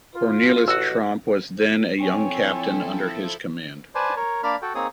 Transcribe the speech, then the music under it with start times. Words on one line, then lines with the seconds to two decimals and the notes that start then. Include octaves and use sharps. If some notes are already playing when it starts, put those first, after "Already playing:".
Cornelis Tromp was then a young captain under his command.
0.15 F4
0.68 A1 F#4 E6
1.99 F3 C4 E4 A4 C#5 G#5
3.95 B4 C5 D5 G#5 A5
4.16 A#4 C#5
4.43 A#3 D4 A#4 D5 B5 F6
4.62 F#4 A4 G5
4.75 A#3 C4 D#4 G#4 C#5 D#6